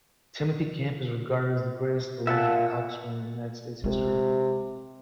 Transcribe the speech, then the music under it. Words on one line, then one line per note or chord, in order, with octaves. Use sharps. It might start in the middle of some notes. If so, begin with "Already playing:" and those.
Timothy Camp is regarded as the greatest olympic coxswain in the United States history.
A#2 E5 F#5 A5
C3 G#3